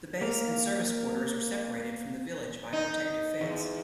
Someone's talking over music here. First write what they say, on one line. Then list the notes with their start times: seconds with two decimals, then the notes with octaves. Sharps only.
The base and Service quarters are separated from the village by a protective fence.
0.21 A#3 A#4 F5
2.73 D#4
3.41 E2